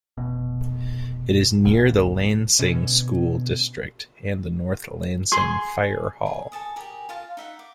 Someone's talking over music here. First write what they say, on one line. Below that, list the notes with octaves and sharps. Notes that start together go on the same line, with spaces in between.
It is near the Lansing School District, and the North Lansing fire hall.
F1 B2
D1 A#1 C#3 A#3
B2 D3 C#4
G#4 C6
G#4
A4 G#5 A5 D#6
G4 G#4 A#4
F4 F5 A5
D#4 E5 F#5
D6